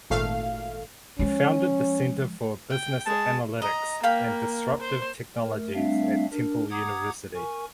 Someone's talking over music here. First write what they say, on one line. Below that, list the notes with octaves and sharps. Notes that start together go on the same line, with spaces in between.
He founded the Center for Business Analytics and Disruptive Technologies at Temple University.
G#1 A#2 A3 F5
F3 G#3 C#4
G5
G#3 G#4 A5
D#5 A#5
A#3 F5 G5 B5
C5
A3 A#4
G3 A3 C4 D4 E5 F5
D4 A#4
F#5 A#5 D6 D#6 G#6
A#4 G#5 C#6